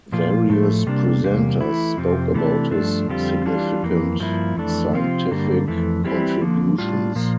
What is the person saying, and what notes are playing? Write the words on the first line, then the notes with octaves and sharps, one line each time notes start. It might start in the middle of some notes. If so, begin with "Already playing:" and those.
Various presenters spoke about his significant scientific contributions.
A#2 F3 A#3 F4
A2 F3 A3
C3 G3 A#3 D4
E2 C3 G3 A#3
E3 A3 E4
F2 C3 F3 C4
C3 E3 A3 D4
G2 F3 A3 D4
F2 D3 G3 C4 F4
E3 G3 D4 F4
F2 E3 A#3
G2 F3 A#3 E4
F2 E3 A3 D4
C3 F3 C4 F4
G2 D3 G3 A#3
F2 E3 A3
E3 G3 C4 E4
D3 F3 A#3
A2 G3 D4 F4
A#2 F3 A#3